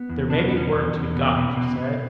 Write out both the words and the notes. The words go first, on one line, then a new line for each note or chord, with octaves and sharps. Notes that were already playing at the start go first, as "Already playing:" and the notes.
'There may be work to be got,' she said.
Already playing: B3
E2
B2 D4
C#4
B3
E2
C#4
E2
E2
B2
B2
B2
B2